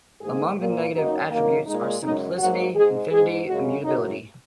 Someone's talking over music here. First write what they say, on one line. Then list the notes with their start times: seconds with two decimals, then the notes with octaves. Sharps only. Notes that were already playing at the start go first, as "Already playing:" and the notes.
Among the negative attributes are simplicity, infinity, immutability.
0.21 G#2 D#3 A#3 G#4
0.57 A#2 A#3
0.93 F#2 F#3 A#3 D#4
1.30 F#2 D#3 A#3
1.66 A#2 G#3 D#4
2.03 F#2 C#3 G#3 D#4
2.39 G#2 F#3 A#3 F#4
2.75 G#2 G#3 G#4
3.11 G#2 G#3 G#4
3.47 F#2 C#3 G#3 F#4
3.84 F#2 C#3 F#3 D#4